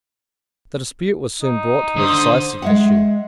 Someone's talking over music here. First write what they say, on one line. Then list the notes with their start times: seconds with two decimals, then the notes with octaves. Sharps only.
The dispute was soon brought to a decisive issue.
1.42 D#4
1.97 D3 C5 D#6
2.62 G#3 E5 F#5